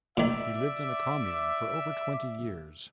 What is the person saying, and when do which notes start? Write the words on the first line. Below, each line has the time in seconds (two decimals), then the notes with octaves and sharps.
He lived in a commune for over twenty years.
0.17 A#2 D#3 D5 E5